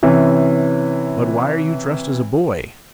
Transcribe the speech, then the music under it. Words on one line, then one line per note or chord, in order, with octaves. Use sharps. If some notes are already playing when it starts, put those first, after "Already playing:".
"But why are you dressed as a boy?"
C3 E3 C#4